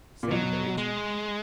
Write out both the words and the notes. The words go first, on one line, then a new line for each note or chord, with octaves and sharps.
Same bait.
A#2
B2 F#3
G#3